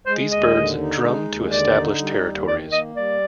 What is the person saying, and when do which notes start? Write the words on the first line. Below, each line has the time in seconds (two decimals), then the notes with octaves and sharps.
These birds drum to establish territories.
0.06 G#3 C5
0.32 D#2 D#5
0.56 D3
0.80 D#4
1.03 G#3
1.28 D#2
1.51 D3 D5
1.75 D#4
1.99 G3
2.24 D#2
2.48 D#3 D5
2.72 A#3 D#5
2.96 G3 D5